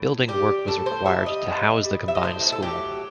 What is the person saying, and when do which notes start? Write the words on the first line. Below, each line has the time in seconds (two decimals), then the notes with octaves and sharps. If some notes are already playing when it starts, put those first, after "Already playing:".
Building work was required to house the combined school.
Already playing: A2
0.28 G3 G4
0.67 A2 A4
0.86 C5
1.06 G3 E5
1.26 D#5
1.45 A2
1.84 G3
2.08 E5
2.15 D#5
2.23 A2 C5
2.52 A4
2.62 F#3 A3 G4